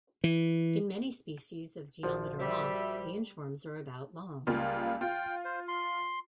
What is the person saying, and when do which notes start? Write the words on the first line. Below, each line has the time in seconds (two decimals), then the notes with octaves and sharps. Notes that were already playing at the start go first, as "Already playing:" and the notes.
In many species of geometer moths, the inchworms are about long.
0.24 E3
2.03 A#1 F3 F#4 C5
2.39 G3 E5
4.47 C#2 G3 A#3 F4
5.01 F4 G5
5.45 C5
5.68 C6